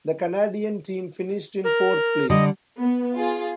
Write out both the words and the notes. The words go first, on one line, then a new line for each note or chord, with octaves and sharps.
The Canadian team finished in fourth place.
A#4
D3 G3 D#5
B3
F4 G#4